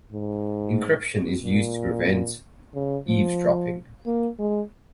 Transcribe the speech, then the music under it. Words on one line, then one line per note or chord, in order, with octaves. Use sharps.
Encryption is used to prevent eavesdropping.
G#2
A#2
C#3
F3
A#3
G#3